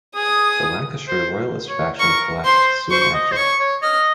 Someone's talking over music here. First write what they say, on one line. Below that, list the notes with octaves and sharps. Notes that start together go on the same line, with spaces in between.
The Lancashire Royalist faction collapsed soon after.
G#4 D#6
C5
C#5
A#4 C#6
C5 C6
C5 C#6
D#5
C5
C#5 C#6
C#5
D#5 F6